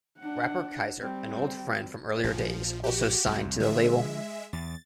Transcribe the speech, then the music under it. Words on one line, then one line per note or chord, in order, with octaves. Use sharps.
Rapper Keizer, an old friend from earlier days also signed to the label.
D4 F#5
G3 C4
A#1 F3
F#4 G4
C2 F2
D3 F3 G#3 E5
E2 A6